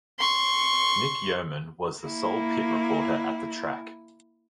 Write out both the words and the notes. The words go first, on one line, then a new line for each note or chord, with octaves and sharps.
Nick Yeoman was the sole pit reporter at the track.
C6 C#6
A#3 E4